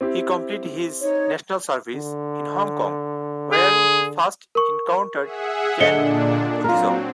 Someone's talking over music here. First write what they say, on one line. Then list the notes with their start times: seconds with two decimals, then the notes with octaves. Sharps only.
He completed his national service in Hong Kong, where he first encountered Chan Buddhism.
0.01 C4 E4 G4
1.00 D#4 C#5
1.95 D3
3.52 G#4
4.55 A#4 C#6
5.21 G#4 E5 F#5
5.81 A#2 D3 D4 D#5 C#7 G7
6.64 F#3 C4 F4 A#4